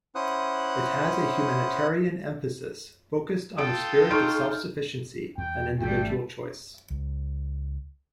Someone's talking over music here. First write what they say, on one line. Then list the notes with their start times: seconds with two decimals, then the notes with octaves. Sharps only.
It has a humanitarian emphasis focused on the "spirit of self-sufficiency and individual choice".
0.15 C#4 E4 C5 F#5 D#6 F#6
3.58 F4 A4 G5 D#6 D7
4.10 D#4 C6 C#6 F6 G6 D7
5.38 E2 G5
5.81 A1 G#2 G3 A3 G5
6.90 C#2